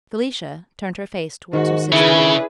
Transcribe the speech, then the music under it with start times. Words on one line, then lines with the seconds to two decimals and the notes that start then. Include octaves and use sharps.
Felicia turned her face towards her sister.
1.53 G#2 D#3 F#4
1.92 C#3 D4 E4 G#4 B4